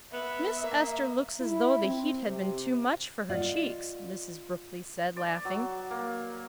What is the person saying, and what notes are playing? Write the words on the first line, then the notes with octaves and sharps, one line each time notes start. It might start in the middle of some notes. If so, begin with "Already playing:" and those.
"Miss Ester looks as though the heat had been too much for her cheeks," Mrs. Brookley said, laughing.
B3 E5
A#3
E4
C4
C3
F4 D5 D#5 F5 F#5
D5
F#3
A#3